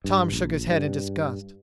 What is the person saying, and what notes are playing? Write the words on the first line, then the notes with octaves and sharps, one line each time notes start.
Tom shook his head in disgust.
G2
A#1
G2